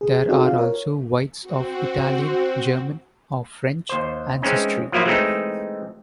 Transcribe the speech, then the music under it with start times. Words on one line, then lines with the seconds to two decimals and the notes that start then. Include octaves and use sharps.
There are also whites of Italian, German, or French ancestry.
0.01 G#4
0.29 C4 D#4 F#4 G#4 A4 D5
0.45 F4 F5
0.58 A#4 C#5
1.41 C4 F#4
3.89 D#2 C5
4.42 E3 G#3 C4 C#4 D#4
4.92 F3 F#3 A#3 E4 F4
5.06 E3 G#3 A3 C4 D#4